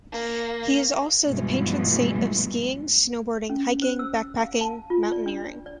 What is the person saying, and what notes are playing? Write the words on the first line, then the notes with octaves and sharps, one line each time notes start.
He is also the patron saint of skiing, snowboarding, hiking, backpacking, mountaineering.
A#3
G2 B2 E3 F3 G#3 A3
C#4
C5
E6
F5
A5
F4
D5
D4
D5